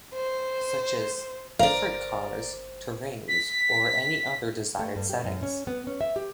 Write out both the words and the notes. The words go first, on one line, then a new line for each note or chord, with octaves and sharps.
Such as; different cars, terrains or any other desired settings.
C5
G1 A#4 C5 D5 F5
B6
A3
G2
G4
F#2
C#4
B3
C#4
E5
G4